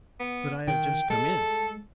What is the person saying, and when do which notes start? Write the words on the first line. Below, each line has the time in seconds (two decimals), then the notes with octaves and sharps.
But I have just come in.
0.20 B3
0.68 D#3 G5
1.10 G#3 A4